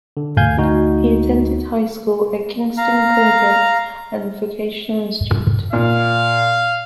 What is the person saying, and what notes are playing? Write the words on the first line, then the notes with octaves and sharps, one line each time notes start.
He attended high school at Kingston Collegiate and Vocational Institute.
D3
D2 F5 G#5 G6 G#6
D2 D#4 F#4
F5 A#5
A#2 F5